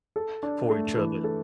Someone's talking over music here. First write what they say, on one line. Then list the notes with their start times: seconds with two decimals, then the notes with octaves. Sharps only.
for each other
0.16 A4
0.43 D4
0.70 A3
0.97 E3
1.24 A4